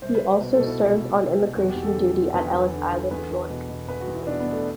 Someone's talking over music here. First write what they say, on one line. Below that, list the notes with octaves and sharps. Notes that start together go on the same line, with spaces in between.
He also served on immigration duty at Ellis Island, New York.
C2 C5
B4
C2
B2 B4
A4
B2
E4
C2
C2
B2
B2
E2 F#4
G4
E2
A4
D3
D3
E2 B4
E2
D3
D3
E2 B4
E2
B2
B2
E2 B4
F#4
E2
E4
B2 D4
B3
B2
A3